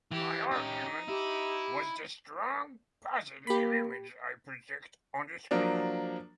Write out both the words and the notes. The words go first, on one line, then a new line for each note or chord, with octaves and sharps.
My argument was the strong, positive image I project on the screen.
E3 G4
C#4 D#4 G4
E4 G4
A#3 G4 B5
F3 F#3 A#3 D4